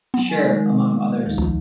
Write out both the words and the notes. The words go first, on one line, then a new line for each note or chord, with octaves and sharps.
Sure!, among others.
F#3 B3
G#3 D#4 G#5
D#3 G#3 A#4
D#2 D#3 F3
C#2